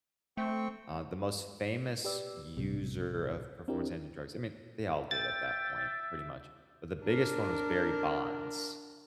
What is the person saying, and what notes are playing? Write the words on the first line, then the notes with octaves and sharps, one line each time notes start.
Uh, the most famous user of performance-enhancing drugs I mean, they all did at that point, pretty much, but the biggest one was Barry Bonds.
A3 C4 G5 C#6
G4 B4 D5 E6
B1 A2 C3 G3
C4 D4 E4 G4 A#4
E5 G5 A6
D4 A#4